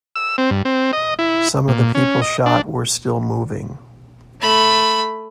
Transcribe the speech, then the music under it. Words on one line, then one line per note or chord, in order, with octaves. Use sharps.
Some of the people shot were still moving.
E6
C4
G2
C4
D#5
E4
A#2
C#4
D#5
D4
A3 B5